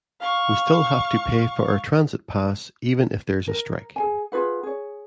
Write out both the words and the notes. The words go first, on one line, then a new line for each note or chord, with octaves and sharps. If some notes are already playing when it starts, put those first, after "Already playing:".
We still have to pay for our transit pass even if there's a strike.
F5 C#6
A#4
G#4 G#5
F4 G#4 B4 F#5
G#4 C#5